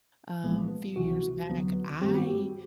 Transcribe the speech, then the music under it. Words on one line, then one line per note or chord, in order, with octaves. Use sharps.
uh, few years back, I
C2 A#2 F3 G#3 B3
C#2 C3 E3 F#4
D2 D3 F#3 B3
G2 D#3 G3 C4 G4
F#4
G4